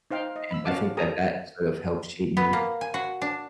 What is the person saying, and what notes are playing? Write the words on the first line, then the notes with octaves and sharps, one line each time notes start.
and I think that that sort of helped shape me in
D#4 C5 F5 G5
D#5
B5 E6
C#4 F#4 F5 F#5 A5 D6
G4 A4 A#4 G#5 A#5 D#6
B3
A#3
G#5
F#4
D4